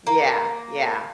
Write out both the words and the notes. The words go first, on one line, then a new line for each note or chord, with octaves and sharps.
Yeah, yeah.
A#3